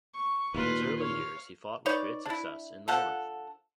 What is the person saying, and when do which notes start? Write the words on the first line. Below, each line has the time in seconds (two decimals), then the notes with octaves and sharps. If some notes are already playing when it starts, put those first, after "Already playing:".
In his early years he fought with great success in the north.
0.15 C#6
0.54 D#2 A#2 F4 B4
0.98 C#5 F5
1.86 D#4 B4 C#5 D5
2.26 D4 E4
2.88 D3 F3 A4 F#5